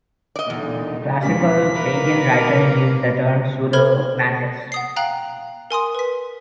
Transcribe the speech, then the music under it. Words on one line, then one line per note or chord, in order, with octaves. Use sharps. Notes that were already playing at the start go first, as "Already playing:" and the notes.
Classical pagan writers use the term "pseudomantis".
D5 D#5
E2 A#2 D3 D#4
E2 C#3 F3 G#3 A#3 C#4 G4 B6
D#4 A#4 B4
A4 B4 B5 F6 G#6 G7
F#5 D#6 C7
F5 G5 A#5 F#6 F#7
A#4 G#5 C6 D#6
B4 B6